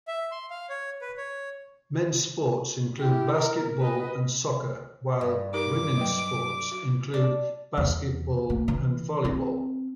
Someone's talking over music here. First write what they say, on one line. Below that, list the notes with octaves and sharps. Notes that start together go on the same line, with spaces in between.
Men's sports include basketball and soccer; while women's sports include basketball and volleyball.
E5
C6
F5
C#5
B4
C#5
E4 G4
A#4
B4 D#5
G2
D#4 G4 A#4 D6
F#3 B4 G5
F#4
D4
E2
A#3
E3
C4